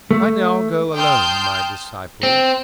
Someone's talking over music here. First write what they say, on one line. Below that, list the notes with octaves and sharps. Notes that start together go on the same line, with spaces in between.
I now go alone, my disciples!
A3
G5 A5 C6 D#6 F6 G6
C4